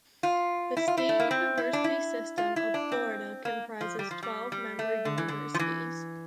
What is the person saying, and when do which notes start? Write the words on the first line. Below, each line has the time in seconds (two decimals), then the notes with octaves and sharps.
The State University System of Florida comprises twelve member universities.
0.23 F4
0.77 E4
0.88 F4
0.97 E4
1.09 A3
1.19 A#3
1.31 C4
1.57 E4
1.73 D4
1.84 E4
2.38 F4
2.56 E4
2.74 D4
2.92 C4
3.45 A#3
3.81 F3
3.99 G3
4.11 F3
4.23 G3
4.52 G3
4.79 A3
5.05 D3
5.18 E3
5.28 D3
5.54 F3
5.59 E3